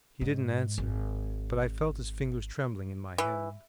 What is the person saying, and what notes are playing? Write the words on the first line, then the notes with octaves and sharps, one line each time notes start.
He didn't answer, but I felt his fingers trembling in my hand.
G#2
G#1
E3